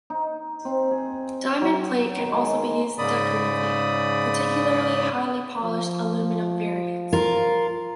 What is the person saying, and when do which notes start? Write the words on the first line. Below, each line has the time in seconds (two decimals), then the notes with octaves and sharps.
Diamond plate can also be used decoratively, particularly highly polished aluminum variants.
0.10 D#4
0.65 C4
0.91 G#4
1.61 F#3
2.17 D#3
2.32 G#3
2.98 G#2 C#3 D5 B5 D#6
5.63 F3
7.13 F4 A#4